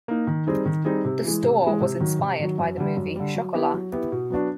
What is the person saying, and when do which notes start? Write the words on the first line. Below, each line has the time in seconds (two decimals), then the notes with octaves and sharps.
The store was inspired by the movie "Chocolat".
0.08 A#3 D#4
0.27 D#3
0.47 G3 C4 D#4 G#4
0.65 D#3
0.85 G3 C4 D#4 G#4
1.05 C3
1.23 E3 G#3
1.43 C3
1.62 E3 G#3
1.81 C3
2.00 D#3 F#3
2.19 C3
2.39 D#3 F#3
2.58 F#2
2.77 D3 G3
2.97 F#2
3.16 D3 G3
3.35 F#3
3.54 B3 E4 G4
3.73 F#3
3.92 B3 E4 G4
4.12 B2
4.30 F#3 B3 D4 F#4